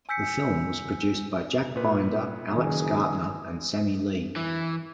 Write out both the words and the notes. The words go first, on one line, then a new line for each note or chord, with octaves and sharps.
The film was produced by Jack Binder, Alex Gartner and Sammy Lee.
G#5 E6 G6 B6 C#7
A#2 B4
F#1 D#3 G#4
E3